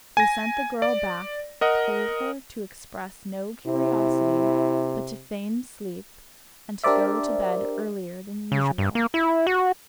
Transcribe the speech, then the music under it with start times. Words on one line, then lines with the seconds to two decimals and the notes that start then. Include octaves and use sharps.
They sent the girl back, told her to express no curiosity, but to feign sleep, and to go to bed earlier than usual.
0.17 G#5 A#6
0.82 D5
1.61 A#4 D#5 F#5
3.66 C3 E4
6.84 D4 G4 A#4 C5 D5 E5
8.52 C#3
8.78 G2
8.95 A#3
9.14 E4
9.47 F#4